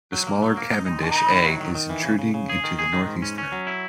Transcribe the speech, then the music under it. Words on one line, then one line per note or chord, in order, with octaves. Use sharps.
The smaller Cavendish A is intruding into the northeast rim.
F#3
A#3
F#3
A#3
D#4
D#4
D#3
D#4
D#3
F#3
D#3
D#3
E3
C#3
C#3
C#3
G#4
D#3
G#4
D#3
G#2
C#4
C#4
F#3
E4